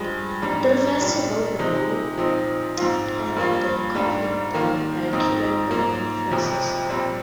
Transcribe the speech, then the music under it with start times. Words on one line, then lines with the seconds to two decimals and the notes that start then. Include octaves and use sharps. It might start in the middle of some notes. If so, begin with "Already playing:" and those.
It refers to both the boat and the conflict won by Cuban government forces.
Already playing: G2 F3 G#3
0.42 G#2 G3 D4
1.01 A#2 G3 D4
1.59 C3 F3 G#3 C4 D#4
2.18 A#2 F3 C4 D#4
2.77 G#2 F3 C4 F4
3.36 G2 F3 A#3 F4
3.95 G#2 G3 D4 F4
4.54 D#3 A#3 F4
5.13 G#2 F3 C4 D#4
5.71 G#2 F3 A#3
6.31 F2 C3 F3
6.89 A#2 G3 C4